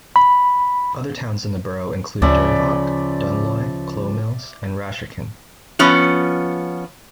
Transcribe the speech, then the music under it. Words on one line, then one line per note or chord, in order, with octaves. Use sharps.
Other towns in the borough include Dervock, Dunloy, Cloughmills and Rasharkin.
B5
D2 C#3 F3 D5 E5
F3 B3 C#4